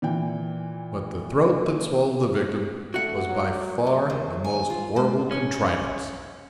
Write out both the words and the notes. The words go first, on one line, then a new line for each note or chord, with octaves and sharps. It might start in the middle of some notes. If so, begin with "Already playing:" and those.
But the throat that swallowed the victim was by far the most horrible contrivance.
A#2 E3 G5
A3 F#4 F#5
F#3
A3
D#2
G#5
F4
G#3
C#4